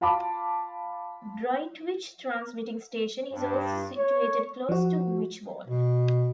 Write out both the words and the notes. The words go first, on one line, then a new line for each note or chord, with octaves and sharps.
Droitwich transmitting station is also situated close to Wychbold.
F4 F5 A5 B5 D6
G2
C#5
F3 F#4
B2